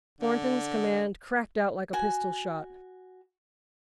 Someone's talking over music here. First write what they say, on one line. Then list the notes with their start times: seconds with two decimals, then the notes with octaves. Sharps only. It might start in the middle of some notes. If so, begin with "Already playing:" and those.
Thornton's command cracked out like a pistol-shot.
0.20 D3
1.93 F#4 G#5